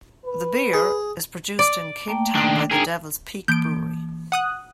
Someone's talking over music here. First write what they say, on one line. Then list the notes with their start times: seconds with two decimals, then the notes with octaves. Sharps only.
The beer is produced in Cape Town by the Devil's Peak Brewery.
0.25 B4
0.73 G#4
1.59 D5
2.08 A3 A#3 G5
2.35 D#3 D4
2.71 D4 D#4 G#4 A#4 G5
3.48 E3 A#3 G6 D7
4.32 F#5 D#6 F#6